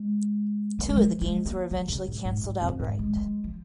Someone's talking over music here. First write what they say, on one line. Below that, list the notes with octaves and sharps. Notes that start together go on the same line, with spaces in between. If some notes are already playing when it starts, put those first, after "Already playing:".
Two of the games were eventually canceled outright.
Already playing: G#3
A#3
G#3
F3
G#3
A#3
F3
C#3
G#2
G#2
G#2
F2
G#2
G#3
G#3
F3